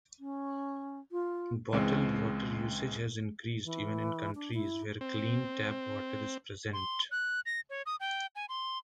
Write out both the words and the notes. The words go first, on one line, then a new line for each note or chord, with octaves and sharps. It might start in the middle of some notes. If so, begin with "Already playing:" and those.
Bottled water usage has increased even in countries where clean tap water is present.
C#4
F4
C#2 E3 G#3 C4
E3
D4
E4
C4
C6
F#6
A#6
C#5
D#6
G5
G#5
C6